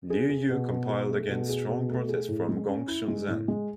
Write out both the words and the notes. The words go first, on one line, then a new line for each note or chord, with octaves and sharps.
Liu Yu complied against strong protest from Gongsun Zan.
G#4
G#4
B2
B2
G#4
A3
B2
G#4
B2
A3
G#4
A2
G#3
C#4
E4
G#3
A2
G#3